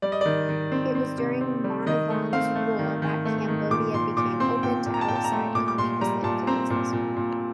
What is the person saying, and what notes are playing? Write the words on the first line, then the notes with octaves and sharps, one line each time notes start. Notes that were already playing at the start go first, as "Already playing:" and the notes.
It was during Monivong's rule that Cambodia became open to outside communist influences.
G3 D5
D#5
D#3 D5
D#3
C4
C4
C3
C4
G3
D#3 D#5
A3
C4 F5
A3
D#3
D#3
A3
D#3
A#2 D6
A#2 C6
A#2 D6
C4 C6
A#2 G5
A#2
A#5
A5
A#2 G5
A5
A#5
A3
A#2 D6
D6
A#2 C6
G3 A#5
A#2 A5
C4 A#5
A#2
A#2
A#2